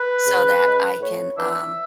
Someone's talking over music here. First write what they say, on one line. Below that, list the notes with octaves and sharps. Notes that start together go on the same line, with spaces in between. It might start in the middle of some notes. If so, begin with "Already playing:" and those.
so that I can, um
Already playing: B4
C#2
C#3 G#3
A2 C#5
E3 B3 D4 E5